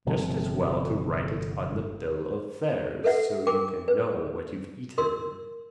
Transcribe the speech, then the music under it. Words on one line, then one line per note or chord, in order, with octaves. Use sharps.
Just as well to write it on the bill of fare so you can know what you've eaten.
G1 C3 F3
A4 B4 E5 F#5
A#4 G5 D6
B4
A#4 C6 E6